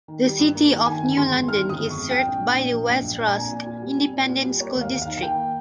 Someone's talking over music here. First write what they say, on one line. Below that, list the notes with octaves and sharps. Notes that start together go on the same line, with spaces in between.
The city of New London is served by the West Rusk Independent School District.
D#3
G3
G2
A#3
D#3
D#3 G#5
G1
G#3 C6
F2
D#3 F6
G1
D#6
G#3
F2 C#6
F3 G5
A#1
A#1
A#2
F3
A#1
A#1
A#2
A#5
C4 G#5
A#2
F4
G3
C4
A#2
F4
G3
A#3 C#5
D#2
F5
D#2
D#3 F5
A#3 G5